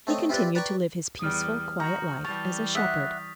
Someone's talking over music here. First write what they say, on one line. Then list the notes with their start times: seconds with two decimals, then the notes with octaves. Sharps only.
He continued to live his peaceful, quiet life as a shepherd.
0.07 A3 C4 C#5 D#5
0.29 C4 E4 F4 G4 B4 D5
0.55 B4 D5 G5 A#5 C#6
1.19 E2 G3 D#6 F6
1.80 F#4 A#5 C#6 G6
2.24 E3 G3 A5 C#6 A6 F7
2.75 E5 F#5 C#6 D#6 B6